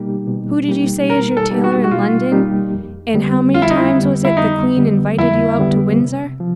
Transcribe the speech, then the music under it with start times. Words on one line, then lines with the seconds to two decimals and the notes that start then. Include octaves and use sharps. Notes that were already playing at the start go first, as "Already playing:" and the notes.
Who did you say is your tailor in London, and how many times was it the Queen invited you out to Windsor?
Already playing: B2 G3 A#3 D#4 G4
0.27 B2
0.69 G3 A#3 D#4 G4
1.09 B2 A#4
1.37 A4
1.50 G3 A#3 D#4 G4
1.64 F#4
1.84 F#4
1.91 B2 F4
2.32 G3 A#3 D#4 G4
2.73 F2
3.14 D3 G3 B3
3.54 F2 F4
3.62 E4
3.70 D#4
3.77 E4
3.96 D3 G3 B3
4.25 E4
4.36 F2 D#4
4.77 D3 G3 B3
5.18 F2 E4
5.59 D3 G3 B3
6.00 C3
6.40 F3